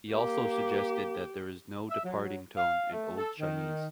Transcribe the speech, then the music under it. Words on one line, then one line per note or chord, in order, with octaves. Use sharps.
He also suggested that there is no departing tone in Old Chinese.
A#3 G4
E5
F#3
F5
A3
A4
D#3